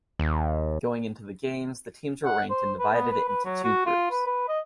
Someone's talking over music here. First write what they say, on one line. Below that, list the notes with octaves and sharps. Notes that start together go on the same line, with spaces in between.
Going into the games, the teams were ranked and divided into two groups.
D#2
F#5
C5
B4
B3
B4
B4
F#3
F#4
F4
B4
B4
D#5